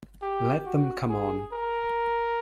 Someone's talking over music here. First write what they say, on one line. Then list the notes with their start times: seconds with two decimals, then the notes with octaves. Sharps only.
Let them come on.
0.22 G4
0.66 F#4
1.09 G#4
1.53 A#4